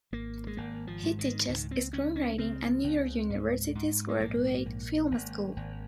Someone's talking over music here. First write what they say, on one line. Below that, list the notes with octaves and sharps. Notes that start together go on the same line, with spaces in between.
He teaches screenwriting at New York University's Graduate Film School.
G#1 A#3
G#3
G#1 A#3
F3
G#2
D#3
C#2 D#3
C4
C#2 C#4
C#4
C#3 C4
C#2
G#2
G#2
G#3
A#1 A#3
A#1
G#1
G#1